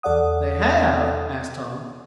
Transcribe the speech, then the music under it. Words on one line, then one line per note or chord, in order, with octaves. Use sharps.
"They have?" asked Tom.
E2 A4 D5 F#5 D#6